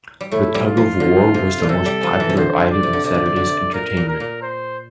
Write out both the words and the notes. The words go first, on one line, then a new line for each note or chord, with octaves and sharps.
The tug of war was the most popular item in Saturday's entertainment.
G3
A2 A3 E4
G3
F4
F3
D3
C3
A#2
C3 A4
G3
F3
E3
C3
D3 C5
D5
C3
D3
C3 D5
D3
C3
D3
C3
A#2 A#4
A#2
A#4
A#2
C5